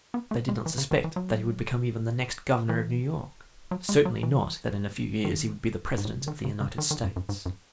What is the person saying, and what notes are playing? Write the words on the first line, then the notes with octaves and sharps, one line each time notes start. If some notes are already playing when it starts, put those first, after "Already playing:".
They did not suspect that he would become even the next Governor of New York, certainly not that in a few years he would be the President of the United States.
B3
A3
G#3
E3
C#3
D#3
E3
F#3
E3
F#3
G#3
F#3
E3
D#3
G#2
A2
B2
C#3
D#3
C#3
C#3
D#3
D#3
F#2
F#2
G#2
F#2